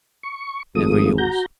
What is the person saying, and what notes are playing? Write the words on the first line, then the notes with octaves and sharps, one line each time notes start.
Ever yours.
C#6
G#1 F3 A3 D#6
F#4 A#5 G6